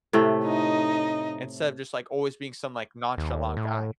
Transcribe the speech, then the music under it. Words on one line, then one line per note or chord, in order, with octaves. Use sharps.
instead of just, like, always being some, like, nonchalant guy.
A2 C3 A3
D#4 D#5
D#2
A2